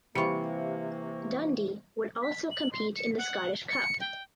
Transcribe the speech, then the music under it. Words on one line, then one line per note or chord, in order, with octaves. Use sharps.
Dundee would also compete in the Scottish Cup.
C3 E3 G3 A#3 F4 C#6 C#7
B6
F#7
C6
C#7
F#5
C#7
G5